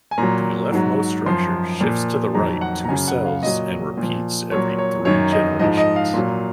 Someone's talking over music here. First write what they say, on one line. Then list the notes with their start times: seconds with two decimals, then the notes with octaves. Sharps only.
The leftmost structure shifts to the right two cells and repeats every three generations.
0.11 G#5
0.18 A#2 F#3 A#5
0.72 G#2 F#3
1.26 F#2 F3 C6
1.81 A#2 F3
2.35 F2 D#3 F#3 A#5
2.61 F#5
2.85 A#5
2.88 F#2 C#3 F#3 G#5
3.08 F#5
3.25 F5
3.43 A#2 F#3 D#5
3.97 A#2 F3
4.51 A#2 C#5
4.56 F#3
4.79 C#5
5.05 F#2 D#3 F#3 C#5
5.32 D#5
5.59 G#2 F3 D#5
5.77 D#5
5.96 F5
6.14 A#2 F#3